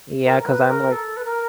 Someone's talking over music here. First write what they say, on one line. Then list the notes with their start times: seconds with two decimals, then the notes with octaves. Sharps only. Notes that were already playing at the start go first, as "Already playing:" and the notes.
Yeah, 'cause I'm like
0.25 A#4
0.42 A#4
0.47 B4
0.70 A#4
0.92 A4
1.17 B4
1.25 A#4